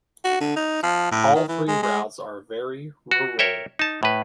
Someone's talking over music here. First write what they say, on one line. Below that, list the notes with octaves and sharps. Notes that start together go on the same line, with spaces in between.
All three routes are very rural.
F#4
D3
D#4
F3
A2
D#3
E3
G#3
G#3
F#4
A#4 C#5 E5 G5
D#4 A5
A2 B4